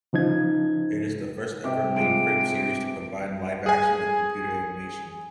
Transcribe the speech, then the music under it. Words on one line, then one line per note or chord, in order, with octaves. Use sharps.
It is the first ever Mainframe series to combine live action with computer animation.
C#3 F3 D#4 G#6
C3 G4
F3 G#3 D7
G#4 G#5